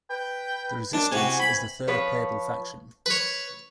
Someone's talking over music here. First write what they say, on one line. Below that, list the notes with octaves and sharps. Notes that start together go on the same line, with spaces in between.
The Resistance is the third playable faction.
B4 G5
F#2 D4
C3 E3 C4 F#4 G#5
B5
F3 B4 C#5
B4 C#5